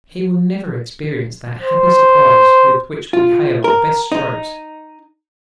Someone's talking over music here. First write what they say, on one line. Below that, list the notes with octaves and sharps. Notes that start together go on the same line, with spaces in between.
He will never experience that happy surprise with which we hail our best strokes.
C5
F4
A#4
D#4